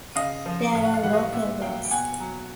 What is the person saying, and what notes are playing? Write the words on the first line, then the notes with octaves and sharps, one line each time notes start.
There are local roads.
C#3 D#5 F5
F3
A2 F5
F#5
F5
E3 G3 F#5
D#5 F5
A#2 E5 F#5
F#3 F5 G5
G5
B2 F#5 G#5
F#3